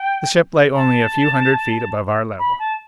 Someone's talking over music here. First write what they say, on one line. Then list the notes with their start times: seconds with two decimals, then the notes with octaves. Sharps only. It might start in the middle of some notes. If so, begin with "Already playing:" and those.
The ship lay only a few hundred feet above our level.
Already playing: G5
0.76 A5
2.39 B5
2.59 A5